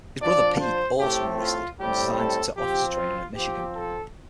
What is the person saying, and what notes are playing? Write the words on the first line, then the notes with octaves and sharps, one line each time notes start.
His brother, Pete, also enlisted and was assigned to officer training at Michigan.
F3 D4 D5
C5
A2 A3 C4 G4
F4
A2 G3 C4 G4
A4
F3 C4 G4
F4
F3 C4 G4
A4